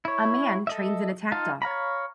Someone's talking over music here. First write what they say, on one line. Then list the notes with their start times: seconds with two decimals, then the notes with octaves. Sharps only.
A man trains an attack dog.
0.05 E4 C#5
0.67 A4 D#5 E5
1.32 D#4 F4 F5 A5
1.62 C#5 F5 A#5 B5